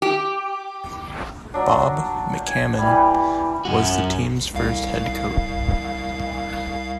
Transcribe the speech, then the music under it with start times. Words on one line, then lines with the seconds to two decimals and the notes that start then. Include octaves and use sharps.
Bob McCammon was the team's first head coach.
0.02 G4
1.54 F#3 D4
2.46 G#5
2.78 E3 G3
3.65 F#2 F#4
4.54 C2 F5